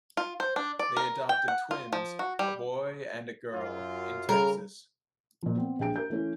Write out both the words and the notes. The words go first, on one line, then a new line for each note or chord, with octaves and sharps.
They adopted twins, a boy and a girl, in Texas.
F4
C5
D4
D5
A#4
G5
F#5
F4
F3
F#4
G3
F#2 F4
C#3 G3 A4 A#4
A#2 F3
B3 C4
A#1 G#4 G5 D7
A#4 G6
E3 A3 C#4 E4